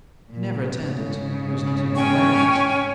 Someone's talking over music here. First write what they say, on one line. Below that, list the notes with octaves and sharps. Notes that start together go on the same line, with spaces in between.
He never returned it--he was not even aware of it.
A#2
G#2 C#3
C#4 G5 C#6